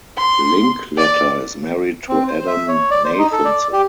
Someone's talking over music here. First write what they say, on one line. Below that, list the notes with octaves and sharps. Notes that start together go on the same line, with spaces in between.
Linkletter is married to Adam Nathanson.
C6
D5
C4
C5
E5
C#5
D5
C5
D#4
A4
D5
G4